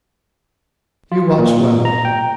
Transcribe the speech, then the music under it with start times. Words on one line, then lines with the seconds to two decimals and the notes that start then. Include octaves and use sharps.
You watch well!
1.12 F4
1.39 A#2
1.85 A#5
2.05 G5